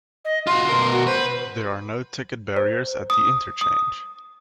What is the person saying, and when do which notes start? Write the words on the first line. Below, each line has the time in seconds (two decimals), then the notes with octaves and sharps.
There are no ticket barriers at the interchange.
0.25 D#5
0.47 F4 F#4 C6
0.69 B2 A#4
0.91 F#4
1.07 B4 C5
2.57 C5
3.10 D#6
3.61 D#6